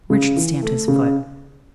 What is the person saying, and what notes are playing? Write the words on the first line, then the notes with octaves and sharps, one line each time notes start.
Richard stamped his foot.
C#3
E3
A3
C#3